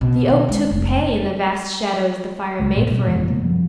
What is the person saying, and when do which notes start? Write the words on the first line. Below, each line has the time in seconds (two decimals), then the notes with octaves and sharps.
The oak took pay in the vast shadows the fire made for it.
0.01 B2
0.30 D#3
0.49 G#3
0.71 F1
2.60 C#2 G#3
2.75 G#1 A#2
2.90 B2 E3 G3
3.06 G1 F2 E3 G#3
3.30 C3 A#3
3.42 F#2 F3 G3